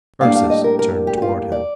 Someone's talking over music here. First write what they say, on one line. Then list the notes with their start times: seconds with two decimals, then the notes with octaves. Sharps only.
Ursus turned towards him.
0.21 A2 G3 A#3 D4 F5
0.36 F5
0.50 D#5
0.64 A#4
0.79 A#4
1.07 G4
1.17 G4
1.22 F4
1.52 D5